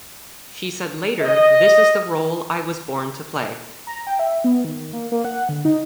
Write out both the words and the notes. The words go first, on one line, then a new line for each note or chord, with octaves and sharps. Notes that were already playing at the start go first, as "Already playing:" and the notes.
She said later, This is the role I was born to play.
D#5
A#5
G5
E5
B3
D#3
A#3
A#3
F#5
D3
D#4